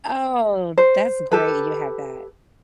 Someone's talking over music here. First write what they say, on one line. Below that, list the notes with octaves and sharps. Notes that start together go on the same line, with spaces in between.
Oh, that's great you have that.
C5
G4 A4 B4